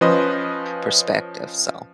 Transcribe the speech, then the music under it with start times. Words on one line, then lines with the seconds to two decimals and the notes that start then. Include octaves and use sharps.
perspective, so
0.01 F3 C#4 B4 C5 D#5